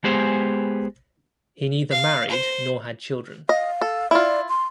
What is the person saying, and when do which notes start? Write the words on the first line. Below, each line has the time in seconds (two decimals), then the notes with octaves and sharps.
He neither married nor had children.
0.04 G#3 B3 G4 G#4 C5
1.91 F5
2.29 C5
3.49 D#5 F5
3.81 A4
4.11 E4 F4 D5
4.49 C6